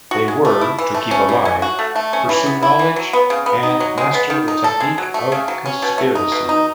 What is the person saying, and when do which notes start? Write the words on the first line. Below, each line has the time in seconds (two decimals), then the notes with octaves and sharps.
They were, to keep alive, pursue knowledge, and master the technique of conspiracy.
0.11 F#4
0.28 G#3
0.45 A3
0.61 E4
0.78 E3
0.95 A3
1.11 C#4
1.29 E3
1.45 C#4
1.62 F#4
1.79 A3
1.96 A3
2.13 C#4
2.29 E3
2.46 B3
2.63 E4
2.79 E3
2.96 F#3
3.13 B3
3.30 C#3
3.46 B3
3.63 D#4
3.80 F#3
3.98 G#3
4.14 B3
4.30 D#3
4.48 D#4
4.64 A4
4.80 G#3
4.98 F#3
5.14 A3
5.32 C#3
5.48 F#3
5.66 C#4
5.82 B2
5.98 A3
6.15 D#4
6.32 B2
6.49 D#4